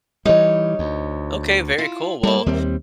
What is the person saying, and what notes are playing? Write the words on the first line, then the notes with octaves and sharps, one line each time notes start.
Okay, very cool. Well,
E3 G3 D#4 C#5
D2
E4 F4
G3 A#3 E5
D#2 G3 C4